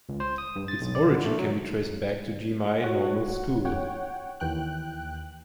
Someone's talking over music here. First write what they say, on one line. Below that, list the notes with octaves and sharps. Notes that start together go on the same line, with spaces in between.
Its origin can be traced back to Jimei Normal School.
C#2
C5
D#6
G2
A6
B1
D5
D3
A3
F#3
F#4 C#5 F#5
C#5 F#5 G5
D#2 E3 G5 F#6